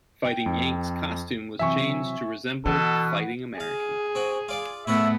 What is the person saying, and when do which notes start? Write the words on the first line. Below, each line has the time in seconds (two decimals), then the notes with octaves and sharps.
Fighting Yank's costume was changed to resemble Fighting American.
0.25 G5
0.46 F2
1.59 C3 E3 F#3 E5 G#5 C#6
2.66 B2 E3 A4
3.60 G#4 F5
4.15 C4 F#4
4.48 F4 D5 F5
4.87 A2 A3 B3 E4 F#4 A#4 E5